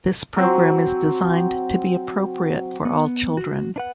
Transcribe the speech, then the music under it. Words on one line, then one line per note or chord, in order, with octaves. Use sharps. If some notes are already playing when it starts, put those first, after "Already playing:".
This program is designed to be appropriate for all children.
F#3 C4
B3
F#4
D4 B4 F#5